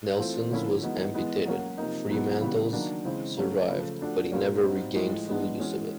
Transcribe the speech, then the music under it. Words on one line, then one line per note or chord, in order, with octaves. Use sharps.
Nelson's was amputated; Fremantle's survived, but he never regained full use of it.
E3 A3 C4 F4
D3 F3 A#3 C#4 E4
E3 G#3 B3 D#4 F#4
E3 G#3 B3
F#3 A#3 C#4 F#4
C3 F3 A#3 D#4
B2 F#3 B3 E4
C#3 E3 G3 B3
D#3 F#3 A#3 D4
C#3 E3 G#3 C4
C#3 F#3 A3 C#4
C#3 F3 A3
F3 A3 D4 F#4
A#2 G3 A#3 C#4
G3 C4 D#4 F#4
A2 F3 G#3
E3 G#3 B3 D4
E3 G#3 C#4 F#4